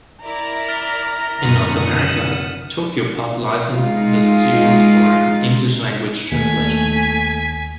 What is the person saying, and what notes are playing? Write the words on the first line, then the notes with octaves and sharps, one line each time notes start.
In North America, Tokyopop licensed the series for an English-language translation.
E4 A#4 D5 A#5
F6 A6 B6
F#2 D3 D#3 F#5 D#6
E7 F#7
G#3 D#4 F4
D#2 A3 G#5 B6